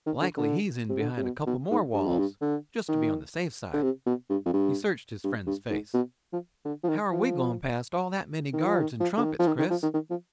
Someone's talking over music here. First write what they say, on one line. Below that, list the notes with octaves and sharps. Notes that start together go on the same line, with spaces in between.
Likely he's in behind a couple more walls, just to be on the safe side." He searched his friend's face. "How are we going past all that many guards and trumpets, Chris?
D#3
D3
D3
C3
D3
C3
B2
B2
G#2
G2
F2
G2
D3
D#3
D3
C3
B2
G2
F2
G2
G2
G2
G#2
B2
F3
D3
F3
D#3
F3
D#3
F3
D#3
F3
D3
D#3
F3
D#3
D#3
F3
D#3
D#3
F3